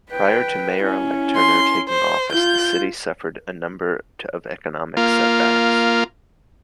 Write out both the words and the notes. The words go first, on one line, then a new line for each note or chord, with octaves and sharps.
Prior to Mayor-Elect Turner taking office, the city suffered a number of economic setbacks.
B4 G5
C#4 E4
C6
C5
F4 G6
A#3 F4